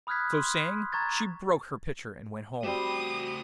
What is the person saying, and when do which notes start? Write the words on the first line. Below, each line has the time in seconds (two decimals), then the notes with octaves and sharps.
So saying, she broke her pitcher and went home.
0.07 B5 D#6 F6 F#6 G#6 B6
0.33 C6
0.92 A#5 C#6 G#6 A6
2.64 G3 A3 C4 F#4 G4 C5 D#6